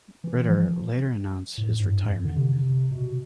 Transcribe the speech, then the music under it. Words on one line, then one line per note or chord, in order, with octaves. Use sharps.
Ritter later announced his retirement.
E3
F3
A2
G2
F2
D3
C3
B2